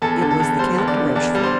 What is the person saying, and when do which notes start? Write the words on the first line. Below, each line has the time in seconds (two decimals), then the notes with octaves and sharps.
It was the Count de Rochefort.
0.02 E2 A4
0.21 D3
0.31 A4
0.40 E2
0.59 G3 C5
0.78 E2
0.88 D5
0.97 D3
1.15 E2 D5
1.35 G3
1.43 C5